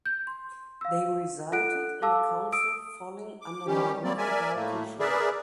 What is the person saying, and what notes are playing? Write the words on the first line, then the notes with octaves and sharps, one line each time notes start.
They resulted in the council falling under no overall control.
G6
C6
F5 E6
F4 A4 F#5 F#6 D7
A4 F5 A5 D6 E6
D#6 E6 D7
D6
D#3 G3 C#4 G4
F#3 G3 A#3 C4 D5
A#4 D5 E5 G#5
A2 A3 A#3
G#4 A#4 B4 D5 E5